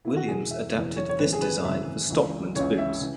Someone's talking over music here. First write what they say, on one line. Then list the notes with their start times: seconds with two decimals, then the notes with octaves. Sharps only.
Williams adapted this design for stockmen's boots.
0.05 E4
0.16 F#4
0.28 E1 E2 E3 G#4
0.51 E5
0.74 E1 E2 E3
0.97 C#5
1.09 C#5
1.19 G#1 F#2 E3 B4
1.33 G#4
1.42 B4
1.65 G#1 F#2 E3 E5
2.10 C#2 C#3 E3
2.56 C#2 C#3 E3 C#5
2.78 E5
3.01 C#3 E3